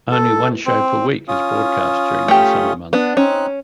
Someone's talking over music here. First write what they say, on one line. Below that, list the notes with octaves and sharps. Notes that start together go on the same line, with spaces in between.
Only one show per week is broadcast during the summer months.
A4
C4
C#4 F4 D#6
A3 G4
B3 D4
C4 C#4 D#4 F#6